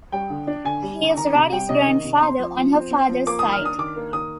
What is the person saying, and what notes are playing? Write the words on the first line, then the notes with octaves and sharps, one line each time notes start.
He is Roddy's grandfather on her fathers side.
G3 G5
D3
D4
D3 G#5
G3
D3
D#3 A#5
C3 A#5
G3 G5
C3 D#5
D#3
C3
A#5
C4 C6
F3
F3
C4
C4
F3
A#3 D6
D#3 D#6
F6
D4 D#6
D#3 D6
A#3
D#3 D#6